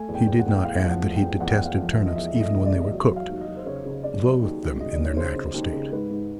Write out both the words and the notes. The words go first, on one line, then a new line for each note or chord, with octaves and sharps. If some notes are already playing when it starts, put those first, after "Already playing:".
He did not add that he detested turnips even when they were cooked--loathed them in their natural state.
Already playing: A3 G#5
E2
G5
E2
F#5
A3 G5
F#5
E2 F5
F3
F#5
A3
G5
E2
E2 F#5
G5
E2 F#5
F5
F3
E5
F3
D#5
E2 E5
A3 E5
D#5
C3
D#5
D5
E2
D#5
F#3 E5
F#3
F5
D#2
D#5
F#3
C5
C#3 C#5
C#3
C#3 D5
F#3
D#2
F#3
C#3 D#5
D5
D#2
C#5
C#3 C5
C#3
D#2
C#3
G#2 B4
G#2